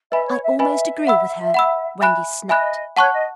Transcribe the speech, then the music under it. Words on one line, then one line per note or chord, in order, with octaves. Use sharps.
'I almost agree with her,' Wendy snapped.
B4 D#5 E5 G#5 B5
C#5
E5
B4 D#5 E5 G#5 B5
F#5 B5 E6
F#5 B5 E6
E5 G#5 B5 F#6
D#5 E5 G#5 B5 F#6
C#5 F#5 A5 C#6 F#6
D#5